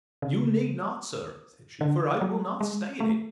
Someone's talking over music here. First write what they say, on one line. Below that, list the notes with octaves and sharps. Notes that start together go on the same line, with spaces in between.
You need not, sir, said she; for I will not stay in it.
C#3
D3
F#3
G#3
A3